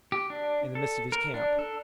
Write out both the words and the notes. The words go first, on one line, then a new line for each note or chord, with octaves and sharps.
"In the midst of his camp."
G4
D4
A4
A#4
D4
A4